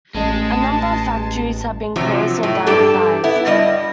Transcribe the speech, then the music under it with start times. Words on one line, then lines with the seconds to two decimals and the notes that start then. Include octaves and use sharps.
A number of factories have been closed or downsized.
0.15 A1 G#3 A3 C#4 D#5 A5
1.96 C3 F3 F#3
2.43 A2
2.66 G2 G4 A4
3.24 B3 E4
3.46 G2 G3 D#5